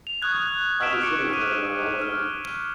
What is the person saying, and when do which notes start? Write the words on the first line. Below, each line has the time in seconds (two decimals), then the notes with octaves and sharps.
I'll be sitting here in my lonesome.
0.07 F7
0.22 C#6 D#6 F6 F#6 G#6
0.80 C#6 E6 F6 B6 D7 E7
1.02 C#6 D6 F#6 C#7 D7
1.30 F6 D#7
2.02 F6